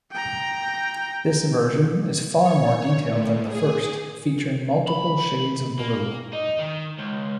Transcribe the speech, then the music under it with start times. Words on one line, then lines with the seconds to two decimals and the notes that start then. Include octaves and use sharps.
This version is far more detailed than the first, featuring multiple shades of blue.
0.12 G5 A#5
2.38 C#5
3.07 A2
3.47 G#4
4.88 B5
5.79 A#3
6.33 D#4
6.59 D#3
6.98 C#2